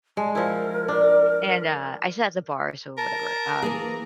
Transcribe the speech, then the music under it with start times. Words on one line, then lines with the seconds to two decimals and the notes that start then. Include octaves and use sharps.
And, uh, I sat at the bar so whatever, um,
0.17 G#3 A5
0.35 F3 E4 A#4
0.88 D4
2.98 A#4 A5
3.62 E3 A#3 G#4 A#5